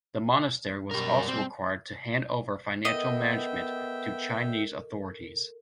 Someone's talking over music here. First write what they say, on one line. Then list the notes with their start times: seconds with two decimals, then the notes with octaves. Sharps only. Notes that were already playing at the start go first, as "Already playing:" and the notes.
The monastery was also required to hand over financial management to Chinese authorities.
0.91 F#2 B2 G3 A#4
1.28 C4
2.85 B3 A4 A#4 D#5 E5 G5